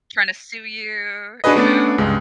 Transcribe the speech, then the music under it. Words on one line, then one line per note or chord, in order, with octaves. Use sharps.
tryna sue you, you know.
D4 F#4 G#4 B4 D#5
A3 B3 C#4 D4 D5
C#2 G2 G#3